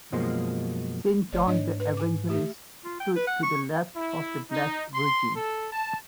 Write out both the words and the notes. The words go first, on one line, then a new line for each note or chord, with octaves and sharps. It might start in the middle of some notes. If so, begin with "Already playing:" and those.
Saint John the Evangelist stood to the left of the Blessed Virgin.
F#2 B2 F3 G#3 A#3 C6
G1 A3 C#5 D5
G#2 D4 C#5 D#5
B4
G#5 D6
A3 G4 E5
F4
G5
B4
F#5
C#6
E4
D#4
C6
A4
A5